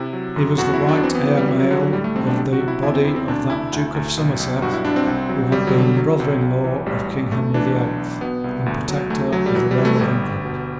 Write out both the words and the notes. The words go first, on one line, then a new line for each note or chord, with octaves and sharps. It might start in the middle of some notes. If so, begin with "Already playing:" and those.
He was the right heir male of the body of that Duke of Somerset who had been brother-in-law of King Henry the Eighth, and Protector of the realm of England.
Already playing: C3 E4
F#3
F#2
E2 F#4
E4
F#3
D4
E3 C4
B3
E3
G3
F#3 G3
F#3
D3 F#3
F#3
A2 G3
A3
B1 C4
D4
C3
F#4
C3
E4
E2 E4
C4
E2 E4
C4
D2 D4
D2 E4
D2
D2
B1
B1
G2 F#4
E4
G2 D4
C4
C2
F#3
G1 G3
F#3
D3
F#3
B1
B1
E3
A1 G3
A1
D2 A3
E3 D4
B1
B1
B2 B3
C2
D2
F#3
D2 A3
D2 F#3
G3
E3 F#3
G3
E3
A3
G1 G3
G1
B2